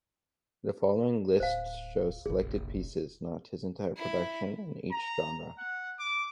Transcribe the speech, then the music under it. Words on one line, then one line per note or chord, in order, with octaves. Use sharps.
The following lists show selected pieces, not his entire production in each genre.
D1 C5 F5
F1 A#1 G#4
E4
A#5
F#5
D6